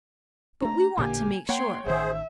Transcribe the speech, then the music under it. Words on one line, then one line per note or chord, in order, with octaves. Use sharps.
But we want to make sure.
A3 D4 A#5
A1 A#2 D3 A#3 G4 G#5
A#3 C#5 F#5 G5 C6
A1 D#3 G#4 C5 E5